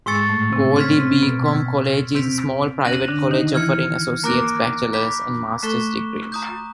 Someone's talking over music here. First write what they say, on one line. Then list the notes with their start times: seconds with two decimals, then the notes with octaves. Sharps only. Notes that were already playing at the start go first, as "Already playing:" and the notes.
Goldey-Beacom College is a small private college offering associates, bachelors, and master's degrees.
0.06 G#2 G#3 C#6 E6 A6 C#7
0.29 A2 A3
0.53 C3 C4
0.76 C#3 C#4 C6 F6 G#6 B6
1.00 C3 C4
1.23 B2 B3
1.46 E6 G#6 B6
2.15 C3 C4 G6 B6 D7 F7
2.85 C#3 C#4 F#6 A#6 D#7 F#7
3.08 D3 D4
3.31 D#3 D#4
3.54 E3 E4 F6 G#6 C#7
4.24 A#3 A#4 A#5 D6 F#6 A#6 D7
4.93 B5 D6 G6 B6
5.62 A3 A4 C#6 F#6 B6 E7 G7
6.32 A#5 D#6 G6